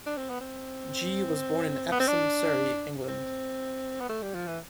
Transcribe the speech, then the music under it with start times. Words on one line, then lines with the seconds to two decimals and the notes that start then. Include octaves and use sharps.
G was born in Epsom, Surrey, England.
0.06 D4
0.17 C4
0.29 B3
0.41 C4
1.92 B3
2.00 C4
2.08 D4
3.09 C4
4.01 B3
4.09 A3
4.22 G3
4.35 F3
4.47 E3